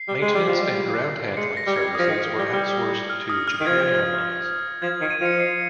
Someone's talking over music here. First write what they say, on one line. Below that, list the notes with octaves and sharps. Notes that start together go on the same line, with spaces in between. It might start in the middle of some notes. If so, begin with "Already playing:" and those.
Maintenance and ground handling services were outsourced to Japan Airlines.
Already playing: C7
G3
G#3
G3
F3
G3
G#3 C#7
A#6
G3
G#6
F3 D#6
D#3
G3
G3
F6
D#6
F6
D#3
F3 G#6
F3 G#6
D#3
D#7
F3 C#7
C7